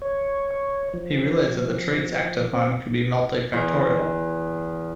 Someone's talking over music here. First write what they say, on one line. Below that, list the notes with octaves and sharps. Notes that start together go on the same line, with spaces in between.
He realized that the traits acted upon could be multifactorial.
C#5
F3
C4
E2